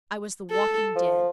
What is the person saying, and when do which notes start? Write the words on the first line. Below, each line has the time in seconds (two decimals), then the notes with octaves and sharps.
I was the walking dead.
0.51 A4
0.96 F3